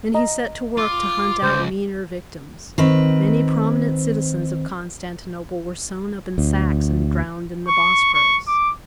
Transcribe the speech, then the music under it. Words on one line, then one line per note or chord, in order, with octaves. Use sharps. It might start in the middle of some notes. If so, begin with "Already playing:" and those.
Then he set to work to hunt out meaner victims: many prominent citizens of Constantinople were sown up in sacks and drowned in the Bosphorus.
D#5 A#5
F4 D6
C#2 C5
D#3 C4 B4
D2
C#6
C#6
D6